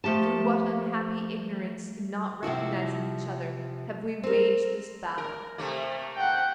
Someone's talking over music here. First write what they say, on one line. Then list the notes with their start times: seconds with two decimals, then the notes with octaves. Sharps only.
Through what unhappy ignorance in not recognising each other have we waged this battle!
0.04 F3 A3 G4 A5
2.43 C3 F3 E4 F#4
4.23 C4 A#4
5.18 A#4
5.58 C3 A3 A#3
6.17 F#5 G5